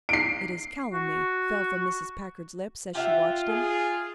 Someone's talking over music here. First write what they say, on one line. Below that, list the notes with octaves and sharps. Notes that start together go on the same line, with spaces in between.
"It is calumny," fell from Mrs. Packard's lips as she watched him.
C7 D7
F#4
F4 G4 E5 F#5
G#4